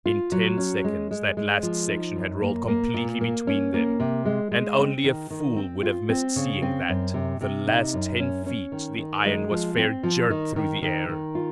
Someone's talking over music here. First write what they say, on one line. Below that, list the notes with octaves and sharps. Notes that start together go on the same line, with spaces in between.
In ten seconds that last section had rolled completely between them; and only a fool would have missed seeing that, the last ten feet, the iron was fair jerked through the air.
F4
F#3
C#4
G#3
G#3
G#3
F3
D#4
F#2
A#3
A#3
A#2
A#3
C#4
A#3
C3
G#3
G#3
C4
D#3
D#3
C4
F4
C4
C#3
C4
F#2
C3
C3
D#4
F#2
C#4
C#4
D#3
D#3
G#3
F3
C4
F3
D#3
D#3
D#3
D#3
F4